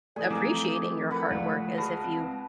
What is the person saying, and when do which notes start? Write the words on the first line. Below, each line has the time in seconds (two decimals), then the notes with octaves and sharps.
appreciating your hard work as if you
0.16 E3 A3 D5 D#5 G#5
0.30 F3 G3 C4 G#4 A#4 G#5 D6
1.11 A#4 B4 F#5 B5
1.31 C#2 F3 A3 D5
1.78 F#4 G#4 A#4 B4 A5
2.04 C4